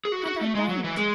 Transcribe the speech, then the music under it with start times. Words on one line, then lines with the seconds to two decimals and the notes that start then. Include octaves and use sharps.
And I don't.
0.05 G#4
0.12 F#4
0.26 F#4
0.41 A3
0.55 G#3
0.69 F#3
0.84 E3
0.97 G#3